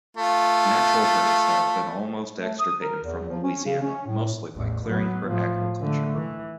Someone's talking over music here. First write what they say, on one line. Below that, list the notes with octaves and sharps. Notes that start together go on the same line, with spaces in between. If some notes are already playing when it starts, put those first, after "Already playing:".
Natural prairies have been almost extirpated from Louisiana, mostly by clearing for agriculture.
A3 F4
A3
D#6
A#4
E2
F3
C#4
C#3
C#4
A2
A1 E2
F#3 B3
A2 F3
D3 A3
E3